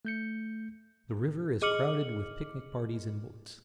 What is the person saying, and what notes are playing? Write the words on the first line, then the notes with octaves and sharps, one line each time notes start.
The river is crowded with picnic parties in boats.
A3 G6 C#7
G#4 D#5 D6 F6 C#7 F#7